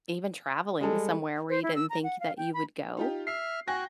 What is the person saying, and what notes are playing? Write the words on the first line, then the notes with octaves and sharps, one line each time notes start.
even traveling somewhere where you didn't think that you would go?
G3 G#3 A4
C5
E4
E6
A#5
F#5
F5
G5
B5
D#4 F4 G4
E5 F6 C7
F#4 G5 G#5 F#6 A#6